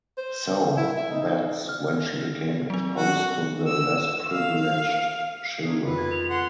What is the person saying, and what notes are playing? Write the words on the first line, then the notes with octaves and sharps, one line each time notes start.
So that’s when she became exposed to the less privileged children.
C5
E4
E5
D#4
F6
F#3 C4
F#4
E6
F5
D4 D#4 G#4
F2 F4 B4
G#6
F7
F#5 C6